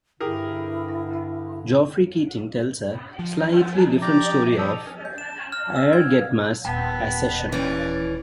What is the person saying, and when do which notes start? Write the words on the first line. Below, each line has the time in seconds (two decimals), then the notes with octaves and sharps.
Geoffrey Keating tells a slightly different story of Airgetmar's accession.
0.20 G2 D3 E4 G4 G#4 A#4
3.19 F3
4.02 G4 D5 A#5
4.58 G4 A4 D#6
5.05 G6
5.18 E7
5.52 F6
5.76 E6
5.93 G#6
6.64 D#1 B3 G5 A5
7.52 D#2 E3 C#4 D5